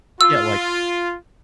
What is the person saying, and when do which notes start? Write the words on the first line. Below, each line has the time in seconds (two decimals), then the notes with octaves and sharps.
yeah, like,
0.21 F4 E6